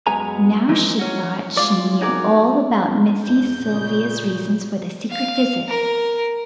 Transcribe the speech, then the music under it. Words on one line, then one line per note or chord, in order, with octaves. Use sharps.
Now, she thought, she knew all about Missy Sylvia's reasons for the secret visit.
F#2 G#3 B3 G#5 A#5
E3 F3 G#3 A#3 C4 D#4
F#3 C#4 F#4
G#3 F4 D5
D#4 F#4 G#4 A#4 C#5 D5
E2 G6
A#2 C#3
F5
A#4